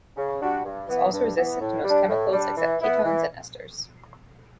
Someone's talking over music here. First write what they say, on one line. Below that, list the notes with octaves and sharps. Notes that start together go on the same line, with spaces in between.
It is also resistant to most chemicals, except ketones and esters.
C#3
G3 D4 F#4
G2
E3 B3
G2
E3 B3
A2
G3 D4
A2
G3 D4
E3
B3 E4
E3